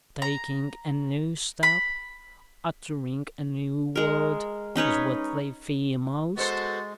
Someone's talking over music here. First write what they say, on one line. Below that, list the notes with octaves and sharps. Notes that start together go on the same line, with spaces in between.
Taking a new step, uttering a new word is what they fear most....
A#5
B5
G#3 A#4
C#4 D#4 B4 C#5
G#3 B3 F#4 A4 C5 A6